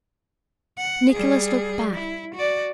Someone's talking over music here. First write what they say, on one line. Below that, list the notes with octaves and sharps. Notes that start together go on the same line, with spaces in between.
Nicholas looked back.
F#5
G3 G#4
E4
F#4 D5